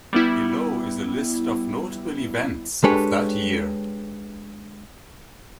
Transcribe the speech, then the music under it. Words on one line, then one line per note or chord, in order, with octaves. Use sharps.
Below is a list of notable events of that year.
G3 B3 E4
G#3 D4 G4 A4 B4 C#5